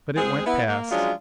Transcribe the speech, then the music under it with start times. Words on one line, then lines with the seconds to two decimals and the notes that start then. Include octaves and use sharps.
But it went past.
0.17 G#3 C4 G#4
0.47 B3 E4
0.68 A#3
0.91 F3 F#3 G#3 C#4 D4 F4